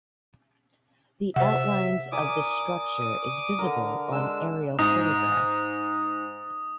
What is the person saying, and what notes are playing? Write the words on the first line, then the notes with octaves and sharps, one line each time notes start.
The outlines of this structure is visible on aerial photographs.
C3 C5 E5 F#5
A#4 D5 G#5 D6 D#6
D3 A#4
G#3 D4 E6
G#2 D#6